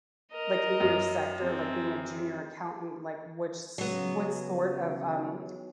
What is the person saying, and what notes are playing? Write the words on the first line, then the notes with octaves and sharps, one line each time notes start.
like in your sector, like being a junior accountant, like which s what sort of, um,
A#4 D#5
F#2
C4 G#4
C#3 F#3 B3